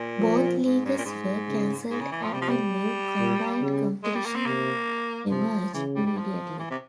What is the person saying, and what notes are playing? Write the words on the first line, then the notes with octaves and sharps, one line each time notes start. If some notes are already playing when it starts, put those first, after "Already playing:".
Both leagues were cancelled and a new, combined competition emerged immediately.
Already playing: A#2
F3
G#2
G2
A#2
G#2
C#3
G#2
C#3
E3
F3
C3 G3
F3
G3
A#2
C#3
G#3
G3
A#3
C4
C3 A#3
C3 F3
C#3 E3
G3
G3
F3
E3
C3